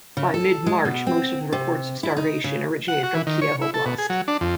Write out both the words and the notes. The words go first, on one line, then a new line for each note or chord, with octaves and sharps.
By mid-March, most of the reports of starvation originated from Kiev Oblast.
C#3
A4
G#3
B2
C4
C3
E4
D#4
C#3
F#5
F#4
E3
D#3
C#5
E4
A4
B2
G#4
F#3
D4
F2